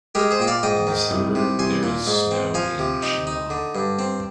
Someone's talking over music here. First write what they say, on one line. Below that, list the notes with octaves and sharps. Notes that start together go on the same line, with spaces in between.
In December there is snow in Shimla.
G#3 G4 A#4
G#4 C5
A#2 G5
D5 F5
G#2 D#5 G5
D#3
C2
C3
C2 G#5 C6
A#2
G#2
C4
F3 F5 G#5
C3
D#4
D#4
D3
G2
C4